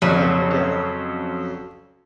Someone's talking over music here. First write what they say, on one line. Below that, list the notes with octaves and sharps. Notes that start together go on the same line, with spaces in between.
I'm your dad.
F2 C#3 F#3 C#4